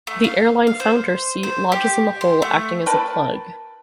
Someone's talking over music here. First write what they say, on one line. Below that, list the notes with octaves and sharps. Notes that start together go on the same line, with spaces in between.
The airline founder's seat lodges in the hole, acting as a plug.
A3
F5
F5
C5
C5
G4
C6
A3
A#4 B4 G5 A5